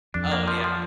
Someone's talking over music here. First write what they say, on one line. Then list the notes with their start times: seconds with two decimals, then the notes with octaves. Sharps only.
Oh, yeah.
0.14 F2 D4
0.32 A#3
0.48 F3
0.64 F3